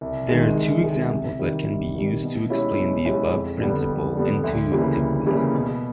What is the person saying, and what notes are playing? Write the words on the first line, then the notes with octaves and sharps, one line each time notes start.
There are two examples that can be used to explain the above principle intuitively.
C2
C3 D#3 G#3
C2
C3 D#3 G#3
C3
D#3 G3
C3
D#3 G3
B2
G#3 C#4 E4 G4
B2
G#3 C#4 E4 G4
F2
D3 G3 B3
F2
D3 G3 B3
D2
C#3 E3 G3 A#3
D2
C#3 E3 G3 A#3
B2